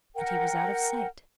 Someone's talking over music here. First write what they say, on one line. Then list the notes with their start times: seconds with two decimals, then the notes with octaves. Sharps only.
And he was out of sight!
0.16 A#4 F#5 G5